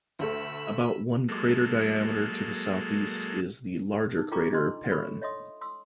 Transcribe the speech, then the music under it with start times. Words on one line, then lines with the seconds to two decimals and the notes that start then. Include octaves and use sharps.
About one crater diameter to the southeast is the larger crater Perrine.
0.19 D2 A3 B5 E6
1.28 F#3 G#3 A#3 A4
4.17 D#4
4.32 F4 A4 G5 A#5 C#6 D6
4.52 D4 D#5 C6
4.90 A4 C#5 B5 C#6
5.21 C#5 D#5 E5 C6 D#6
5.61 C6 D#6 E6